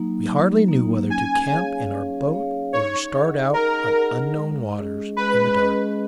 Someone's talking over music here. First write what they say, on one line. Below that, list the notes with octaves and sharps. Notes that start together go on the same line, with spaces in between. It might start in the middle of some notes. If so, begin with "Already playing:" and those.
We hardly knew whether to camp in our boat or to start out on unknown waters in the dark.
Already playing: F#3 A#3 D#4
F#3
A#3 D#4
C#4 G#5
G#4 C#5 F5
C#4
G#4 C#5 F5
D#4 C#5
G#4 D#5 F#5
D#4 A#4
G#4 D#5 F#5
G#3
C#4 G#4 D#5
G#3 B4
C#4 G#4 D#5